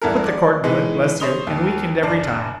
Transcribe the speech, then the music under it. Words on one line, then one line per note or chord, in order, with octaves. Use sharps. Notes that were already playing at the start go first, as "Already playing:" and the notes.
But the court knew it, bless you, and weakened every time!
E2 G2 E4 A4 A#4
D5
B2 D#3 E3 G#3 B3
C5 C#5 C6 D#6 F7 G7
D#2
F#1 D4 C7